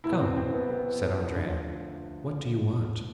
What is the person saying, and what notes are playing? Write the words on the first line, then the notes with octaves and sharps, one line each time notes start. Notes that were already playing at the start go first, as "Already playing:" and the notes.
"Come," said Andrea, "what do you want?"
C2 B2 E4
C4
C4
B3
B3
D2 D3 F3